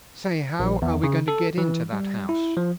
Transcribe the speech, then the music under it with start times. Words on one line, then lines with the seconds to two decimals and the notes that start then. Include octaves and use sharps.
"Say! how are we going to get into that house?"
0.60 A#1
0.82 E2
1.04 C#3
1.28 A4
1.58 E3
1.93 G3
2.29 E4
2.57 F3